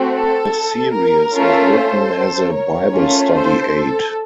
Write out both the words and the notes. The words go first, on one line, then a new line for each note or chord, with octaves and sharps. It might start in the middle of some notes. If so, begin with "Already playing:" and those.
The series was written as a Bible study aid.
Already playing: A3 C4 F#4
A4
A#4
A3 C#4 F4 A4
A4 C5
A#4 C#5
A3 C#4 F4
A4 C5
A4